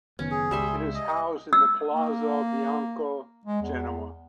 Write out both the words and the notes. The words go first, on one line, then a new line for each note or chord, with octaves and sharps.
It is housed in the Palazzo Bianco, Genoa.
F#1 D#3 B3 C#4
G#4
C#2 G3 E5 C6
D#5
E6
A#3
G#3
E2